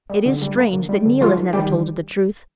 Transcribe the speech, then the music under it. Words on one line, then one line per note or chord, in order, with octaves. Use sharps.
It is strange that Neil has never told her the truth.
G3
D3
G3
A#3
D3
G3
D3
F3 G#3 F4
D#3
D#3 G3 G4
D#3